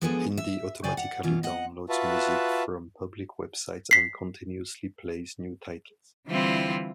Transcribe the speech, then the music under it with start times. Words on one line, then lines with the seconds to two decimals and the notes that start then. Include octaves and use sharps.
Indy automatically downloads music from public websites and continuously plays new titles.
0.01 F3 G#3 B3 D4 G#4 A4
0.37 E5
0.84 C#3 C5 D5 G5 G#5
0.97 F#5
1.23 B2 E3 F4
1.43 D#5 F#5
1.89 F4 F#4 B4 E5 A5
3.91 B6 C7
6.28 D3 E3 G3 C4 E4 F4